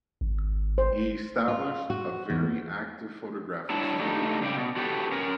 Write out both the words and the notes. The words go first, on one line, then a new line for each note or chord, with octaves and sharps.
He established a very active photographic studio.
G#1
C5
F4
F#4
E2
F#3 G3 D4 E4 C#5 A5
G2 G3 A3 D#4
G2 C#3 D5 G5
B2
F#4 G4 A4 B4
C#4 A#4